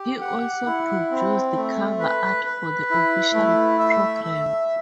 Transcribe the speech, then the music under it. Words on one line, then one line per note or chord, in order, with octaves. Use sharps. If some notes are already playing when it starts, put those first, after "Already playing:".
He also produced cover Art for the official programme.
Already playing: G4
F#5
E4
C4
A3
B4
B4
E4
A3
E5
E5